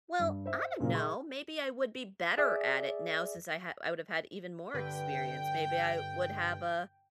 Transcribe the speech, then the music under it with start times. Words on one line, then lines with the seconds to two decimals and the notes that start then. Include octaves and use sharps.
Well, I don't know, maybe I would be better at it now since I ha I would've had even more experience, maybe I would have a
0.19 G2
0.46 C5 E5
0.80 A#2 C#3 F#3 A#3 C4
0.93 G#4 E5 C6 C#6
2.38 G#4 D5 E5
4.74 G2 D3 B4 G5